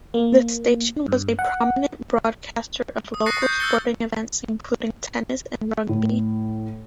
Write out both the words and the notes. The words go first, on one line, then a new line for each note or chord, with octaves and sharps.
The station was a prominent broadcaster of local sporting events including Tennis and Rugby.
A#3
G2
F#5
D#6
C#6 F#6 A6 A#6 C7 C#7
G6
E6 F#6 A6 C#7 G7
A2